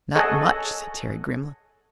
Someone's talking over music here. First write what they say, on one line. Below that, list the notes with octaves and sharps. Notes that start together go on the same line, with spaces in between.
"Not much!" said Terry grimly.
G#4 A4 C#5 D#5 F#5